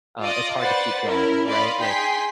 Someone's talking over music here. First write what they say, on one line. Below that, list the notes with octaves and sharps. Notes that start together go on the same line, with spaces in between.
uh, it's hard to keep going, right? Like,
F4 D5 D#5 D#6
B4 C5 D5 F#5 A6
C#4 E4 A#4
D5 D#5 F5 B5 C6
D#4 G#4 G5 C6 B6